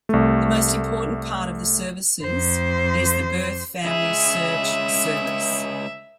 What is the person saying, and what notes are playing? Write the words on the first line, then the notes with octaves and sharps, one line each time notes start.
The most important part of the services is the Birth Family Search service.
C2 A3
F2 C5
C#2 G#4 E5